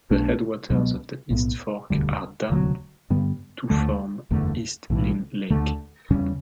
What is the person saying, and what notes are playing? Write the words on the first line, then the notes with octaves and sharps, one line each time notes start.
The headwaters of the East Fork are dammed to form East Lynn Lake.
B1 B2 A3 D4
C#2 B2 F#3 B3
B1 A2 G3 B3
E1 D2 D3 G3
E1 D2 D3 F#3
G2 D3 G3 B3
D2 D3 A3
F#1 E2 D3 A3
B1 A2 E3
D2 D3 A3
E2 C#3 G3 C#4